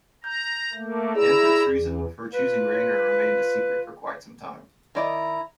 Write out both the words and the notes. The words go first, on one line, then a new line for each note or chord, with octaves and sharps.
Ganthet's reasons for choosing Rayner remained a secret for quite some time.
A#5 G6
A3 A#3
E4 G#4 D5 A#5 E6
E2
F4 B4
D#3 E4 D5 D#5 A#5